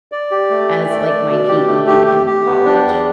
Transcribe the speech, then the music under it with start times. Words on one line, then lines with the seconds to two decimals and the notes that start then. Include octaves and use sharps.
as, like, my PE in college,
0.12 D5
0.31 G4
0.50 A3
0.69 D5
0.89 A3
1.09 D5
1.29 B2
1.48 G4
1.68 A3
1.87 G4
2.06 G4
2.26 G4
2.46 B3
2.65 D4
2.85 E2